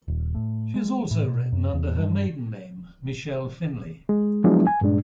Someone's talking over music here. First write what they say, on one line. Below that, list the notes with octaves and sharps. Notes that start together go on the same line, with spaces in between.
She has also written under her maiden name 'Michelle Finley'.
D#1
A2
G#3
A2
B2
F#2
E2
G2
G#3
F3 F#3 G#3 B3 D4 E4
G#5
G2 A#2 G#3 D4